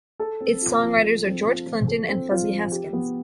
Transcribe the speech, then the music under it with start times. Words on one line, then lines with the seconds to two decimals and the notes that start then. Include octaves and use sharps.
Its songwriters are George Clinton and Fuzzy Haskins.
0.20 A4
0.41 C4
0.61 F4
0.83 F3
1.03 A4
1.25 C4
1.46 F4
1.66 F3
1.88 A4
2.09 C4
2.30 F4
2.51 F3
2.72 G4
2.93 B3